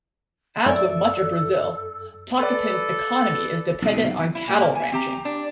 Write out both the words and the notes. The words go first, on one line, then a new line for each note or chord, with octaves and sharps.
As with much of Brazil, Tocantins' economy is dependent on cattle ranching.
F#2 A4 D5 E5
A4 B4 D5
B1 C3
E4
A#2 A#3 G4
E5 G#5
C4 G4 A#5
D4